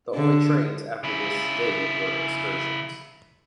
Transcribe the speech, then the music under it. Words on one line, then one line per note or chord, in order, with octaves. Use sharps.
The only trains after this date were excursions.
D3
C#3 E4